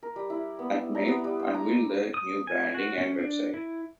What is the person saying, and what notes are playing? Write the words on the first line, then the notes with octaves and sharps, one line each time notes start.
Atmail unveil their new branding and website.
A#4
G3
E4
B3
A#5
B3
G3
C5
A#5
D#6
G#5
F#4
C#4
D4
E4